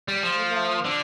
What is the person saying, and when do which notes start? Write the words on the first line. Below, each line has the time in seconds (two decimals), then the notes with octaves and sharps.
you know?
0.08 G3
0.23 F3
0.85 D3